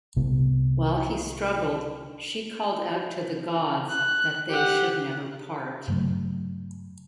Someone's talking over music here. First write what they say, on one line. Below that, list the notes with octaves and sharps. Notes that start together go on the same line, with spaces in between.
While he struggled, she called out to the gods that they should never part.
C2 C3 B3
F#6
G4 F#5
G2 C#3 F#3 A3